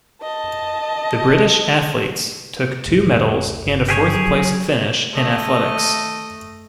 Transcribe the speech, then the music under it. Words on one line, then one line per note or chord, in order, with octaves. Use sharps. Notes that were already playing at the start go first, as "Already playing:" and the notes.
The British athletes took two medals and a fourth-place finish in athletics.
D#5 A5
F1 C#2 A2
G1
G4 G#4 C#5
F#3
A3 D#5